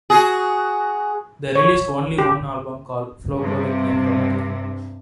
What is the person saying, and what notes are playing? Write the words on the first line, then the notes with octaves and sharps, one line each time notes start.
They released only one album called "Folkloric Necro Metal".
F#4 G#4
C#5
G4
G2 C3